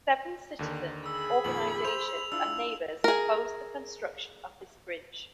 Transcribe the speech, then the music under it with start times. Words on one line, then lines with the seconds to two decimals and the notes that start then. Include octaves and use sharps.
Several citizen organizations and neighbors opposed the construction of this bridge.
0.59 D#2 D3 D#3
1.06 G#4 B5 E6
1.44 F2 A#2 D#3 F#7
1.84 C5 F7
2.32 D4 E4 F4 E6
3.04 G#4 A#4